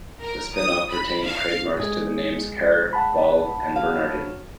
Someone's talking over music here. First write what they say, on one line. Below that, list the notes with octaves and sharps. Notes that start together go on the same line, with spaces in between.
The spin-off retained the trademarks to the names Kerr, Ball, and Bernardin.
A#4
D#6
B5
F5
G#3 G#4
F#5 A5 B5
F#3 F5